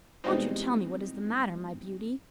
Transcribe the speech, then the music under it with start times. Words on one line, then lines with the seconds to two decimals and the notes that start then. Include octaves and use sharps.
Won't you tell me what is the matter, my beauty?
0.24 B2 E3 G3 G#3 C4 D#4